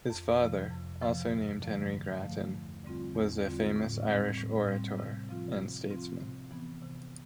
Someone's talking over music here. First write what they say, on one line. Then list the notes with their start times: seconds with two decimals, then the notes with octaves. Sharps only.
His father, also named Henry Grattan, was a famous Irish orator and statesman.
0.10 F2
0.41 C3 F3
0.71 F2
1.02 C3 F3
1.32 G2
1.62 D3 F3 A3
1.93 G2
2.23 D3 F3 A3
2.54 E2
2.84 D3 G3 C4 F4
3.15 E2
3.45 D3 G3 C4 F4
3.76 A2
4.07 G3 C4
4.38 A2
4.68 G3 C4
4.99 C3
5.29 F3 C4 F4
5.60 C3
5.90 F3 C4 F4
6.21 C3
6.51 E3 B3
6.82 C3